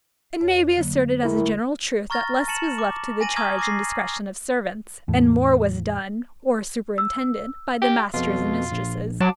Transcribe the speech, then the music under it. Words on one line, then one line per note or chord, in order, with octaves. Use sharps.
It may be asserted as a general truth, that less was left to the charge and discretion of servants, and more was done, or superintended, by the masters and mistresses.
F2 C#5
D3 F#3 A#3
A3 E4 A#4
A#5 C#6 F6 A6 A#6
A5 A6 C#7 E7 F#7
D6
G#5 A#6 D#7 F#7
A#5 C#6 D#6 F6 G#6
D6 A6 A#6 C7
E2 A2
E6
G4
F2 B2 F4
A#1
F#3 A5 D6